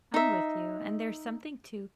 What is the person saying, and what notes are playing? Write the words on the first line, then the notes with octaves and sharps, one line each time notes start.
I'm with you. And there's something to
D#4 E5